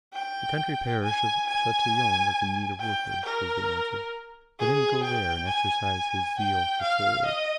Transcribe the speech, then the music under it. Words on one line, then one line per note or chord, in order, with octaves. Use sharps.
The country parish of Chatillon was in need of workers, was the answer; let him go there and exercise his zeal for souls.
G5
G#5
G#5
G5
A#4
G#4
G5
G#5
G5
F5
D#5